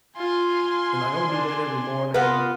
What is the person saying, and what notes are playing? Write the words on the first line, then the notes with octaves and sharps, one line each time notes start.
and, like, I would do that every morning,
F4 G#5 C6
D4
B3 F4 A#4 B4